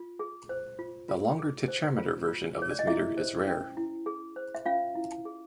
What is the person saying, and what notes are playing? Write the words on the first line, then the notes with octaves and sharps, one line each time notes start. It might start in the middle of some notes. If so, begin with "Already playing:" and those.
The longer tetrameter version of this metre is rare.
Already playing: F4
G#4
C5
F4
F4
G#4
C5
F4
F4
G#4 C#5
D5
D#5
E4 G#4 E5
C5
C#4
E4
G#4
C5
E5
C#4 F4 F5
E4
G#4